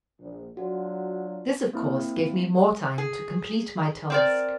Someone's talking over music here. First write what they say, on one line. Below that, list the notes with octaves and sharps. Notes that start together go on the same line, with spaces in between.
This, of course, gave me more time to complete my task.
A#1
F#3 D4 F4 F#4
A#3 C4 E4
G#4
C4 A#4 D5